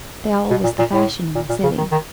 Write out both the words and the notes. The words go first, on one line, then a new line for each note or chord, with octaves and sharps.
They all was the fashion in the city.
B2
A#2
A#2
A2
A#2
A#2
C#3
D#3
D#3